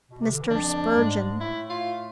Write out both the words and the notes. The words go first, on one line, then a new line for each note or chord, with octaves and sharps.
Mr. Spurgeon.
B2
C3
D3
E3
F2 F3 D4
G#2 G#3
A2 A3 E4
F4